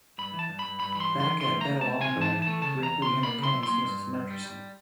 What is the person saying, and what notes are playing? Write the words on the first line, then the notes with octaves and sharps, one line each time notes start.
Back at Belle Ombre, Ripley entertains Mrs. Murchison.
G2 B5
E3
A5
G2
B5
G2
G2 B5
E3 B5
C6
G2
C6
E3
E3 C6
A3
A#5
A3
A3 A5
C4 G#5
E3
A5
E3
A5
A3
C#3 A5
E2
A#5
E2
C6
C#3
A#3 B5
C#3 C6
F#3
C6
A#3
G2
G2
G2
G3
G3